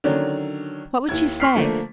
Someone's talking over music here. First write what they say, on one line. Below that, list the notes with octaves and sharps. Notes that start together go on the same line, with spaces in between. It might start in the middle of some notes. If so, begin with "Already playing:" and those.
What would she say?
D3 D#3 F#3 C#4 D4
D#2 E4 G#6
C6 C#6 F6 B6 C7
D3 F3 A3 A#3